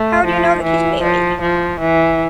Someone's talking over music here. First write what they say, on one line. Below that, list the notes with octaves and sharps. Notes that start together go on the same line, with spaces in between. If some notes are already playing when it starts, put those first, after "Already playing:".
How do you know that he’s married?
Already playing: A3
F3
E3
F3
F3
E3